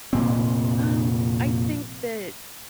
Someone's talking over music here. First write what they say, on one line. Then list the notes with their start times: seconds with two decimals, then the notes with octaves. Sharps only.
Um, I think that
0.13 F1 A#2 C4